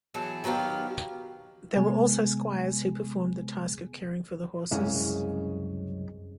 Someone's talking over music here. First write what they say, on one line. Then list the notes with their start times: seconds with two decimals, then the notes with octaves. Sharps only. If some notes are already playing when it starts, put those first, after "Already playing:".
There were also squires who performed the task of caring for the horses.
0.14 E2 E3 F#3 G#4 A5
0.44 D#3 F#3 B3 G4 F5
1.77 C3 G#3 B3 G#4 G#5
4.71 C2 F#2 C#3 G#3